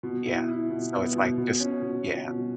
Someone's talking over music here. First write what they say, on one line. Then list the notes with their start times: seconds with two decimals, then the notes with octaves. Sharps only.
Yeah. So it's like just yeah.
0.03 B2
0.26 E4
0.48 E4
0.70 B2
0.93 B3
1.15 B2
1.38 B2
1.60 C#4
1.82 B2
2.04 B2
2.27 B2